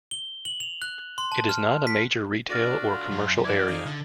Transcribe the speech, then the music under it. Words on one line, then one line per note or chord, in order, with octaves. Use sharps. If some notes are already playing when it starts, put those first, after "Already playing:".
It is not a major retail or commercial area.
G7
F#7
F7
F#6
C6
A5
F6
B6
D3 D4 F#4 D5 F6 A6 A#6
F4
F#2
E3 D5 G#6 E7
D#4 F4 G#4
D3